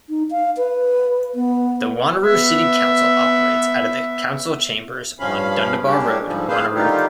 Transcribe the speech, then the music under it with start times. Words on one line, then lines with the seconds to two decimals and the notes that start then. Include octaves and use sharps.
The Wanneroo City Council operates out of the Council Chambers on Dundebar Road, Wanneroo.
0.09 D#4
0.31 F5
0.57 B4
1.35 B3
2.25 B3 E5
5.20 G2 F3 C#4 F5 B5
5.85 G3 G#3 A#3 C#4 D4 G4
6.26 G#2 D3 F3 G3
6.48 C4 G#4 B4 C5 F5
6.74 D3 D#3 G3 D#4 F4 G4